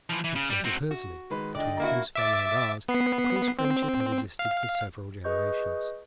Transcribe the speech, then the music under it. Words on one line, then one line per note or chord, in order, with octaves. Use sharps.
Heathcote of Hursley, between whose family and ours a close friendship has existed for several generations.
E3 F3
E3
C#3
G3
C4 F#4
F#4
D#3 G#3 B4
D3 D4 D5 D#5 G5
A#3 E4 F#4
E5 D6 A6
B3 C7
C4
F5
G#4 B4 D#5 C#6 G6